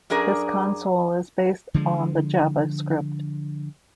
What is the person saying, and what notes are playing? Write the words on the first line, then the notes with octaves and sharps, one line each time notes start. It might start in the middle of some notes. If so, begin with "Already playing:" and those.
This console is based on the JavaScript.
F#2 D4 G#4 A#4 D5
D3 F3 G#3